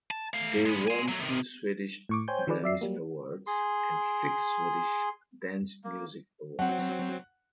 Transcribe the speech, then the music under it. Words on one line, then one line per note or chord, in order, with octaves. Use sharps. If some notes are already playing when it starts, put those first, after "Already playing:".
They won two swedish Grammis Awards and six Swedish Dance Music Awards.
A5
A3 F5
G#3 B3
G#5 C6
F#3 A3
C3 D#3
A2 C#6 D6
C5 C#5 G5 G#5 G6
D#3 F3 G#4 B4 D5
F#3 D5 E5 C7
F#3 G3 A#3
G#4 C6
A#3
F#3 C4 F#5